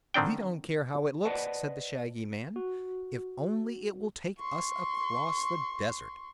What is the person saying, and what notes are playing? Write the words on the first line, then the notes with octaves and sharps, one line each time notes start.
"We don't care how it looks," said the shaggy man, "if only it will take us across the desert."
D3 D#3 C4 D4 G5
B4 C5 D5 D#5 F#5 A5
F#4
C6 C#6